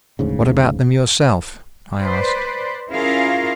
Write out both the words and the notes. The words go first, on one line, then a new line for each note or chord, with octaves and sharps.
"What about them yourself?" I asked.
F1 D2 G#2 C#3
B4 C5 D5
C#4 E4 F4 G#4 A#4 F5